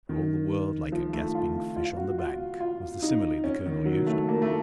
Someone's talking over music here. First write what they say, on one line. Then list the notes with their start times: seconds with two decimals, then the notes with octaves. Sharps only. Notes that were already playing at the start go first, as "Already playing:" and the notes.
"For all the world like a gasping fish on the bank," was the simile the colonel used.
0.09 D#3
0.92 F3
1.13 A3
1.35 F4
1.76 F4
1.97 F#4
2.19 F4
2.60 F4
3.02 D#4
3.44 C#4
3.66 D#3
3.85 F#3
4.06 A3
4.28 A#3
4.42 A3